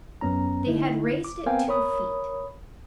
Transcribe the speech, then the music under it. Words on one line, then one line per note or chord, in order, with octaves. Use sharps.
They had raised it two feet.
F#2 B3 C#4 A#5
D3 D#4 E4
D6
B3 C4 A#4 F5 G5 G#5
A#4 C#5 B5 D#6